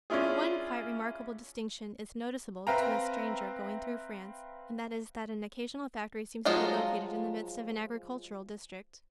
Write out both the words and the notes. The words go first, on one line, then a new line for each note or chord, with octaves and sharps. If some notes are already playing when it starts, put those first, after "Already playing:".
One quite remarkable distinction is noticeable to a stranger going through France and that is that an occasional factory seems to be located in the midst of an agricultural district.
C#4 D4 E4 F4 G#4
C4 B4 E5 F5 G5 A#5
F3 F#3 G#3 D#4 F4